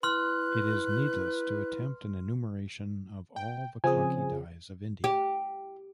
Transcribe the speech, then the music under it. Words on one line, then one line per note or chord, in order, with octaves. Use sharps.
It is needless to attempt an enumeration of all the khaki dyes of India.
E4 B4 C6 F6 F#6
G5
C#3 F3 C4 G#4 G#5
G4